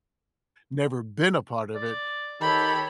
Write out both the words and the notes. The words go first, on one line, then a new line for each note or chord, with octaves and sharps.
never been a part of it,
D5
D#3 G4 A4 C#5 B5